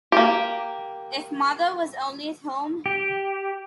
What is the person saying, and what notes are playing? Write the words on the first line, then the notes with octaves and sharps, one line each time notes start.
If mother was only at home!
A#3 G4
G4